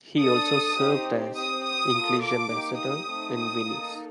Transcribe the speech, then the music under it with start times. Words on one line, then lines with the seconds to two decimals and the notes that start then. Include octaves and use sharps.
He also served as English ambassador in Venice.
0.22 D4 A4 D#6
0.79 C4 D#4 G4
1.36 C4 G4 D#6
1.65 D#6
1.93 A#3 F4 A4
2.22 D6
2.50 A#3 D#4 G4
2.79 D#6
3.08 A3 C4 D#4
3.36 D#6
3.65 A#3 D#4 A4